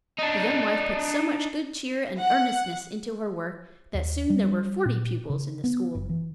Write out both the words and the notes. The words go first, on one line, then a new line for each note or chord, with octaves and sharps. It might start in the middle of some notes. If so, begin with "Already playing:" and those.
The young wife put so much good cheer and earnestness into her work, that soon there were forty pupils in the school.
D4 D#4
F#5
D#2
G3
A#2
C#3
B3
F#1
E3